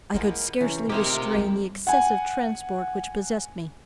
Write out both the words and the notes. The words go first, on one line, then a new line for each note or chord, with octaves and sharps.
I could scarcely restrain the excessive transport which possessed me.
F3 G#3 A#3 B3 E4
C3 E3 C#4
A3 A#3 C4 D#4 F4 G4 A#4 C5
G3 G#3
F#5 G#5